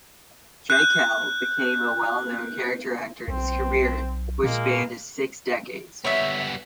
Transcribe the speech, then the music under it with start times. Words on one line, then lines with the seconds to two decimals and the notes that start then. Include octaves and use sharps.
Jaeckel became a well known character actor in his career, which spanned six decades.
0.70 F#6 G6
3.28 B1 C4
4.43 A#2 G#3 A#3
6.04 G3 B3 C#5 E5